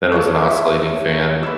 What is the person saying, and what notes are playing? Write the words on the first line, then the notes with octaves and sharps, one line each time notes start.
then it was an oscillating fan.
C#5 F5 A5
E5
B4 E6